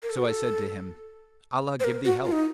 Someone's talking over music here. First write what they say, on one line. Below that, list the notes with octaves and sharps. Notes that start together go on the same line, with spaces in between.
So I said to him, 'Allah give thee health!
A#4
A4
F#4
A4
C5
A#4
F#4
F4
D#4